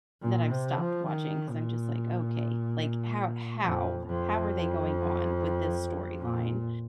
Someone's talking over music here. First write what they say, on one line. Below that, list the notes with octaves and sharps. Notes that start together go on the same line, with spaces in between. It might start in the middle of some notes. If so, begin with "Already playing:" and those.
that I've stopped watching 'cause I'm just like, "Okay. Like, how how? How are they going on with this storyline?
A#2
C3
F3
D#3
A#2
F2
F2
A#2